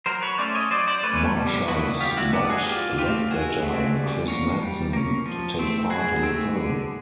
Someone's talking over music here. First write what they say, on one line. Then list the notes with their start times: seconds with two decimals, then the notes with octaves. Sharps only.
Marshals Bud Ledbetter and Chris Madsen to take part in the film.
0.06 F#3 A#4 C5
0.22 B4 C#5
0.38 A3 C#4 C5 D5
0.55 C#5 D#5
0.71 F#3 C5 D5
0.88 C5 D5
1.03 A3 C#4 B4 C#5
1.36 G3
1.68 B3 D4 E4 F#4
2.01 G3 F4 G4
2.17 E4 F#4
2.33 B3 D4 G4 A4
2.50 F#4 G#4
2.66 E3 F4 G4
2.98 A3 C4 F4 G4
3.30 E3 F#4 G#4
3.63 A3 C4
3.96 G3
4.28 A#3 C#4
4.61 G3
4.93 A#3 C#4
5.26 F3
5.59 A3 C4
5.90 F3 F#4 G#4
6.23 A3 C4
6.56 D3